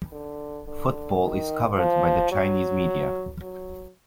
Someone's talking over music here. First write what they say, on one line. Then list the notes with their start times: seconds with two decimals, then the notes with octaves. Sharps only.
Football is covered by the Chinese media.
0.12 D3
0.67 D3
1.23 D#3
1.77 F3
2.32 F#3
3.42 F#3